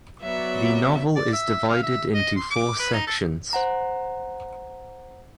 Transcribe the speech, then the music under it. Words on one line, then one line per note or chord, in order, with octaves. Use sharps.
The novel is divided into four sections.
F#3 B3 D5 E5
D5
E5
F5
E5
D#5
C6
D6
B4
D#4
A4
C5 F#5 A#5